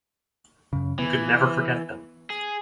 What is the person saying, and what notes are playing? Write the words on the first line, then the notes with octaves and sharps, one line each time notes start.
He could never forget them.
F#2 C#3
E3 B3
G#4